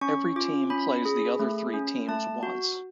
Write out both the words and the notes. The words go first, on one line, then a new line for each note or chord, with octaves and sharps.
Every team plays the other three teams once.
C#4 C#6
F4 D6
C#4 B5
G#4
A3
C#4
A3 A5
F#4